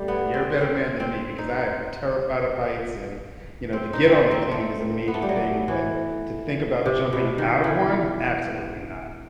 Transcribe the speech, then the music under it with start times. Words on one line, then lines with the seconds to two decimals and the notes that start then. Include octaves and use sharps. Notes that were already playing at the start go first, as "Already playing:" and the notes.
Yeah, you're a better man than me because I am terrified of heights and, you know, to get on a plane is a major thing, but, to think about jumping out of one? Absolutely not.
Already playing: G3 A3
0.08 B3
0.34 C4
0.61 C4
1.00 C4
1.38 D#4
3.73 C4
3.93 D#4
4.07 C4
4.12 D#4
4.31 C4
4.51 A3
5.08 B3
5.14 A3
5.22 G3
5.29 F#3
5.68 E3
6.86 C3
7.13 B2
7.38 D#3
7.64 E3